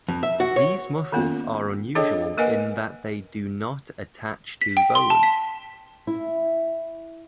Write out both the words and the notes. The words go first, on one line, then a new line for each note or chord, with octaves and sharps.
These muscles are unusual in that they do not attach to bone.
F2
E5
F#4
C#5
D#3 A#3 B3 C#4 F4
D4 G#4 A4 C#5 D#5 G5
A#3 A#4 B4 D#5 F#5 G#5
B6
G5
C6
A5
B6
E4